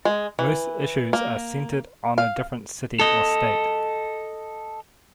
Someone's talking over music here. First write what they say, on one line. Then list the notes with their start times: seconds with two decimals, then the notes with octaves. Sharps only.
Most issues are centered on a different city or state.
0.05 G#3
0.39 E3
1.13 A#3
2.18 F5
3.00 A4 D#5